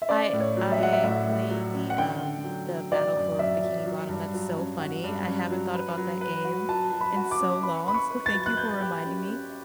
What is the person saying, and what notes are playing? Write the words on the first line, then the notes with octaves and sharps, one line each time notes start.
I I played the, um the Battle for Bikini Bottom, that's so funny, I haven't thought about that game in so long, so thank you for reminding me.
E5
C#4 D5
A2
C#5
F#3
E5
F#3 F#5
E5
A2 E5
A2
F#3
C#4
F#5
D3 G5
D3
F#3
F#3
F#3 D5
F#2
F#2 E5
F#3
F#3
G2
F#3
C#4
F#4
G2
C#4
F#3
B4
F#3
B4
F#4
F#3 A5
F#3
B5
F#4
D6
C#4
B4 B5
B4 B5
C#6
B4
A6
F#3
F#6
B4 G6
G4
C#4
C#4